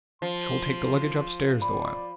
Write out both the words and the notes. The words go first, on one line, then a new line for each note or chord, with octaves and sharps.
'She'll take the luggage upstairs the while.
F3 C6
D5 B5